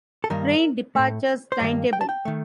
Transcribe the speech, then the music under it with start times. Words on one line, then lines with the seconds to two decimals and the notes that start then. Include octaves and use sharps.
Train departures timetable.
0.24 A4
0.30 G2 D#3 G3 A#3 A#4
0.95 A2 A3
1.52 C5
1.60 G2 D#3 A#3 D5
1.93 G5
2.01 A5
2.09 G5
2.25 D#3 A3